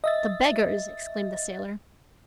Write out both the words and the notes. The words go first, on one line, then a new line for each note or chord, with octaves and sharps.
"The beggars," exclaimed the sailor.
D#5 E5 A6